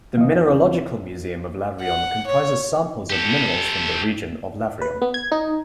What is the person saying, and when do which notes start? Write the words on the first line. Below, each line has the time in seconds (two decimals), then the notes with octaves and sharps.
The Mineralogical Museum of Lavrion comprises samples of minerals from the region of Lavrion.
0.17 G1 E2 E3 D#5 F5
0.48 C4
1.82 F#5
2.27 C#5
3.10 G4 A4
4.82 B4
5.02 B3
5.14 G#6
5.32 D#4